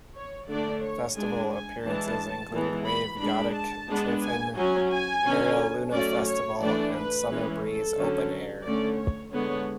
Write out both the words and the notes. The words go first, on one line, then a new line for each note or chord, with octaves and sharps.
Festival appearances include Wave-Gotik-Treffen, Mera Luna Festival, and Summer Breeze Open Air.
C#5
D3 A3 D4 D5
C#5
G#3 D4 G#5
G#5
E3 G#3 D4 A5
E3 G#3 B3
B5
G#3 D4 B5
A5
G#3 B3 D4
G#5
F#3 C#4 G#5
G#5
D3 F#3 C#4
F#3 A3 C#4 D5
C#5
E3 A3 D4 D5
B4
E3 G#3 C#4
A4
D3 F#3 C#4
D3 A3 C#4 D5
C#5
D3 G#3 B3 C#5